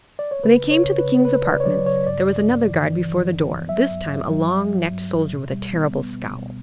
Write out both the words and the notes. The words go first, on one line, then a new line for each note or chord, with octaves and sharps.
When they came to the King's apartments there was another guard before the door, this time a long-necked soldier with a terrible scowl.
D5
C#5
C#3 B4
C#3
C#5
C#3
B4
C#3
C#3 B4
C#3 D5
C#5
F#3 D5
C#3 C#5
G2 D5
G2
G2
E3
E3
E3
G2
B3
F#3 E5
G2
G2
F#3
F#3
F#3
G2
G2
B2
G3
B3
B3
B2
B2